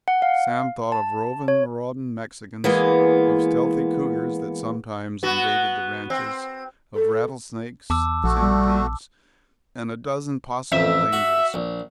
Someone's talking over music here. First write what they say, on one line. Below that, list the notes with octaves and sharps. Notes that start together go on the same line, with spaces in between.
Sam thought of roving, marauding Mexicans, of stealthy cougars that sometimes invaded the ranches, of rattlesnakes, centipedes, and a dozen possible dangers.
F#5
F5
A5
C#5
E3 G#3 A#3 B3
B3 F#4
C4
A4
E2 A5 D6 E6
A#1 A3 F#4
G3
A1 F2 E5
F#4
A#1